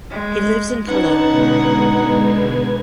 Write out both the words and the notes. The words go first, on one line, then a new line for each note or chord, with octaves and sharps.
He lives in Cologne.
G#3
C#4 D#4 B4 F#5 A5 G#6
B2 D3 G#3